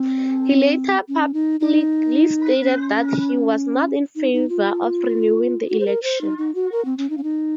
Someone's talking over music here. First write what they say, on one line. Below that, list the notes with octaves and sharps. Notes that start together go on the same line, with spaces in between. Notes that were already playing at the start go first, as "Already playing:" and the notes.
He later publicly stated that he was not in favour of renewing the election.
Already playing: C4
C#4
D#4
D#4
C#4
D#4
D#4
F4
F#4
C5
A#4
C5
D#4
D#4
F#4
A#4
C4
C#4
D#4
C#4
D#4